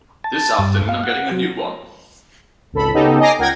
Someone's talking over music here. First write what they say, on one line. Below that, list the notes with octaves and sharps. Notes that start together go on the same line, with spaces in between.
This afternoon I'm getting a new one!
A5
G2
F5
F#5
F#3
G#1 C#2 A4 B5
C#3 B3 D#4 G4 A4
D#5 G#5 A#5 D6 A#6 C7
C#2 A#4 F#5 G5 G#6 A#6